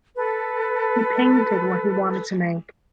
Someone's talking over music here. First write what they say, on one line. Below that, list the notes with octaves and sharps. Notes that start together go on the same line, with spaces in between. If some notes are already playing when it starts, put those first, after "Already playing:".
He painted what he wanted to make.
A4 B4